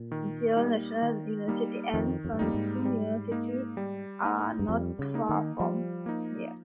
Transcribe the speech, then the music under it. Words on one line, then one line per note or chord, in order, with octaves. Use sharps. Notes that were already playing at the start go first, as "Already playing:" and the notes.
Seoul National University and Soongsil University are not far from here.
Already playing: A#2
D#3
G3 A#3 D#4
D#3
G3 A#3 D#4
F2 D#3
F2
G2
F2 G3 A#3 D#4
G#2
G3
A#3 D#4
G3
A#3 D#4
G2
F2 G3
C#3
A#3 D#4
D#3
F3 G3
A#3 D#4